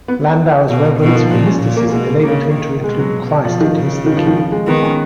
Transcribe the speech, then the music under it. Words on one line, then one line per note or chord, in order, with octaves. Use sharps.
Landauer's reverence for mysticism enabled him to include Christ into his thinking.
B3
B2
B2
D#3
F3
A#2 F3
C#4
A#2
A#3
B2 G#3
C#3 A#3
D#3
B2 G#3
F#3
B2 F3
D#3
C#3
D#3
F3
D#3
F3
G#3
D#3 B3
C#4